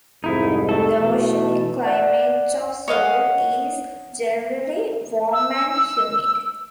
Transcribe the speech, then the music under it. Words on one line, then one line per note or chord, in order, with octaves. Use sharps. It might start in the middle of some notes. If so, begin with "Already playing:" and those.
The oceanic climate of Soule is generally warm and humid.
C2 F2 G#2 D#4 E4
A3 A4
B2 E3
D5 F#5
C#5 D#5 F5 F#5
E6